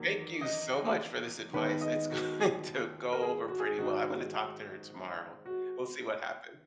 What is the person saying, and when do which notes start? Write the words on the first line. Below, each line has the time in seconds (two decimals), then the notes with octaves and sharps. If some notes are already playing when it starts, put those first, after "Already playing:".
Thank you so much for this advice, it's going to go over pretty well, I'm gonna talk to her tomorrow. We'll see what happens.
Already playing: E2 D#3 F#3 A#3
0.41 D#5
1.53 D#2 D#3 G#3 B3 D#4 B4
1.81 D#5
2.10 F#4
3.13 A#4
3.22 G#4
3.48 F#4
3.60 G#4
3.78 G#2 D#3 G#3 D#4 F#4
5.46 F#4